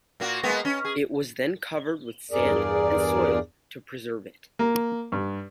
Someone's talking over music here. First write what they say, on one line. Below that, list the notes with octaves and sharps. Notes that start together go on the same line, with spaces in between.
It was then covered with sand and soil to preserve it.
A#2 A#3 F#4
G#3 A#3 B3
C#4
G#4
E2 G2 G#4 A#4 D5
A#3
G2